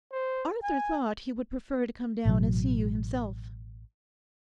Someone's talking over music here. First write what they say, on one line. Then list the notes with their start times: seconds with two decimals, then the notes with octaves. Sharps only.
'Arthur thought he would prefer to come down and see you himself.'
0.12 C5
0.63 G#5
2.25 A1 B2 F#3